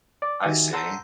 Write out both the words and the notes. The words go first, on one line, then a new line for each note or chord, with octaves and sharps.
I see.
D5
D#3 F#4 G4 E5 G#5
F#5 A5 A#5 C6 E6 G6